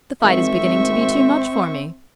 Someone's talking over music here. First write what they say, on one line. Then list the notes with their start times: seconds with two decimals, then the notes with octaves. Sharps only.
The fight is beginning to be too much for me.
0.22 G#1 C4 E5 C#6